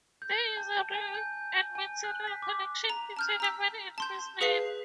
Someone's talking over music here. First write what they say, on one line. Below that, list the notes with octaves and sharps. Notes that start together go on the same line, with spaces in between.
There is a real and material connection between a man and his name.
G6
A5
G#5
G6
G#5
F#6
B6
D6
A#5
A5 F6 G6
A#5 E6 B6
A5 C6 G6
G#4 B4 F5 B6 C7